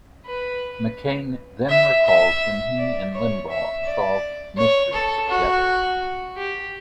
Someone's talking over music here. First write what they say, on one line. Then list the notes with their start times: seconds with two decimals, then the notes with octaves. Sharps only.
McCain then recalls when he and Limbaugh solved mysteries together.
0.26 B4
1.69 E5
2.06 E5
2.78 D5
3.14 C#5
3.50 E5
3.86 D5
4.58 C#5
4.94 A4
5.30 F#4
6.37 G4